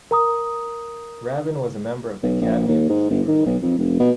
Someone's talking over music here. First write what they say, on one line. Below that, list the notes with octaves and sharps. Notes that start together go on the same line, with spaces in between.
Rabin was a member of the Academy of the Hebrew Language.
A#4 A#5 D#6
B1
A#1
D#2
G#2
G1
D#3
B1
F2
F1
B2